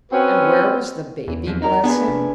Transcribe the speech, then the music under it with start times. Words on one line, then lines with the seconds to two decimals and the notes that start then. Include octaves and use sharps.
And where was the baby, bless him?
0.12 C4 C#4 F#4 B4
1.27 E2
1.47 F2
1.62 D#4 A#4
1.84 B3 D4 G#4 B4
2.07 F1